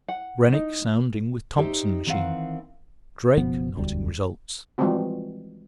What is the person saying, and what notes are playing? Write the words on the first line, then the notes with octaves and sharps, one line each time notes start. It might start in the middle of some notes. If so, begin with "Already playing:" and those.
Rennick sounding with Thomson machine. Drake noting results.
F#5
D#4
D#4 G4 G#4 C5 E5
D#3 E3 C4 A#4 F5 F#5
F#1 B2 F3 B3
E1 D2 G3
E3 F3 G3 G#3 C4 F#4